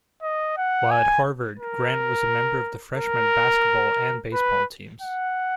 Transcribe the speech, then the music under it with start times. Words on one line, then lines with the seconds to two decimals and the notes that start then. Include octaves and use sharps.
While at Harvard, Grant was a member of the freshman basketball and baseball teams.
0.22 D#5
0.57 F#5
0.91 G#5
1.59 A#4
2.96 A#4
4.33 B4
5.02 F#5